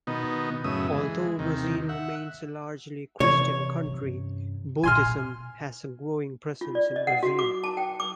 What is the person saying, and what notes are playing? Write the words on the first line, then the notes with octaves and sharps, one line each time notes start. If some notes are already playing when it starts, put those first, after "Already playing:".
Although Brazil remains a largely Christian country, Buddhism has a growing presence in Brazil.
B2 D#3 B3 D#4
F#2 A2 C#3 B3 E5 D#6
E3 G#3
D#2 C3 D#3
E5 F#5
C3 E3 C#5
G2 C#4
A#1 G#5 C6 F6
B2
F4
D5
D#5
F#5
F#4
D6
A5
G5
D6